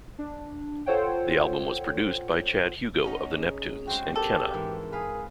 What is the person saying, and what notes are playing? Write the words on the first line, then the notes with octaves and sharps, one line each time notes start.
The album was produced by Chad Hugo of The Neptunes and Kenna.
D4
F4 A4 C5 C#5 F#5 G5
C#4 D#4 D#5 F#5
G#4
G#3 C4 F#4 G5
G4 A4 A#4
G#2 E3 A#4
G#4 B4 F5